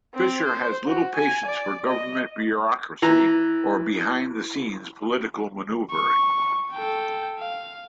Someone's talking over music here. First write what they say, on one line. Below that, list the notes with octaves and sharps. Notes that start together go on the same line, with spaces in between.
Fisher has little patience for government bureaucracy or behind-the-scenes political maneuvering.
C4
C5
F#4
G#5
D5
D#5
E3 A#5
C#6
A4 G5
F5